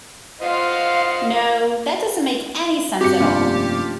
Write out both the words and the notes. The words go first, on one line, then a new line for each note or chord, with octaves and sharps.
No, that doesn't make any sense at all.
F4 C5 D#5 F5 F#5 C6
G2 C4 F#4 G4 C#7
F1 A#3 C#4 D4 F4